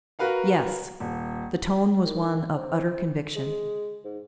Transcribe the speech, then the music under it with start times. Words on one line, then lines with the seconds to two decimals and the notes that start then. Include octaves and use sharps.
"Yes." The tone was one of utter conviction.
0.19 F#4 A#4 B4 F5 F#5
1.00 D#1
2.05 D#3
2.57 C4
3.36 G#3
4.04 G#2